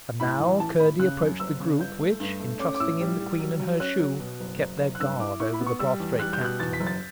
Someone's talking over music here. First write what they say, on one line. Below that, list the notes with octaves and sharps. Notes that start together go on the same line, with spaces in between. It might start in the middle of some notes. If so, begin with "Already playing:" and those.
And now Curdie approached the group which, in trusting in the queen and her shoe, kept their guard over the prostrate captain.
A2 B5
A1
E3 A5
A2 B5
C#3 F#6
F#2
F#1 E6
C#3
G1 G6
A3
G2
A3
C#4 D6
D6
A2 E6
G3
G3
F#3
F#3
C#4 F#6
F#3
B2
F#1
F#1
F#1
F#6
G2 E6
E4 D6
E4 C#6
B5
B3
C#6
G3 E6
E2
G3 F#6
G6
B2 F#6
E2 A6
B6
F#1
A6